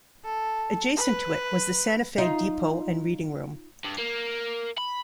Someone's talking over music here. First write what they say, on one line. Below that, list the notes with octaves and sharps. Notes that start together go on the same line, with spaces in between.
Adjacent to it was the Santa Fe Depot and Reading Room.
A4
B4
D#4 F4
G2
A#3
B5